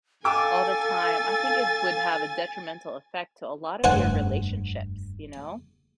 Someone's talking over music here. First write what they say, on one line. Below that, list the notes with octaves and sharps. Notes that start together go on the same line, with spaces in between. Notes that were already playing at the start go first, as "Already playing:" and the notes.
all the time, I think it would have a detrimental effect to a lot of your relationships, you know,
A4 F5 G5 G#5 D6 E6 A6
F1 G2 C5 F#5 G#5